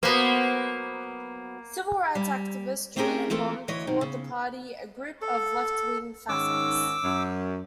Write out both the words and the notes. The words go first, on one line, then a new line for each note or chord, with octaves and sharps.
Civil Rights activist Julian Bond called the party "a group of leftwing fascists".
F#3 A#3 B3 C5
G3
A3 C4 C#4 G4 G#4 A#4
E3 A3 C4 F4 A4 A#4
D2 E3 C#5 D#5
F#2 B2 D#3
C#3
A4
G#2 D#3 C#4 D6 E6
F#2